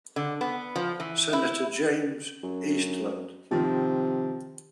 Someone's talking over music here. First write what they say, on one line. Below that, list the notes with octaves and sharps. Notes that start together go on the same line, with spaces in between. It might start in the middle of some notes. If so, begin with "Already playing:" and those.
Senator James Eastland.
D3
B3
F3
E3
E4
F#2
C3 D#3 F3